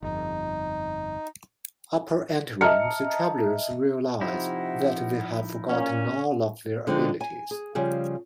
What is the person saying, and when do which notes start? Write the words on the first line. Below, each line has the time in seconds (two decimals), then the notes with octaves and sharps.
Upon entering, the travelers realize that they have forgotten all of their abilities.
0.03 G1 F2 D#4
2.61 D#5 E5 A5 A#5 F6 C#7
4.21 C3 F3 D#4 E4 F#5
5.69 A#2 A#3 C#4
6.87 D3 F3 G#3 C4 D4 D#4
7.21 G#5
7.51 G#4
7.75 C#3 F3 G3 G#4